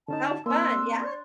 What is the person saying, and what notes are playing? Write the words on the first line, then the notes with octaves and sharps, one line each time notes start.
How fun, yeah.
D3 C#4 D#4 A5
A#3 C4 D4 C6 E6
D5